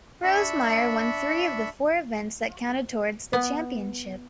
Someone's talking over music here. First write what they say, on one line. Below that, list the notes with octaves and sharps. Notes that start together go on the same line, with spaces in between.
Rosemeyer won three of the four events that counted towards the championship.
D4 E5 B5 C#6
B3